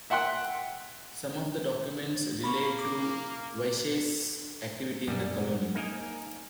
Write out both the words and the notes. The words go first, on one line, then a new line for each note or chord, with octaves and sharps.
Some of the documents relate to Wyche's activity in the colony.
E5 F#5 G5 C6 F#6
A#3 B5 C#6
D6
F#2 G3
A#3 D#4 A#4 D#5 G#5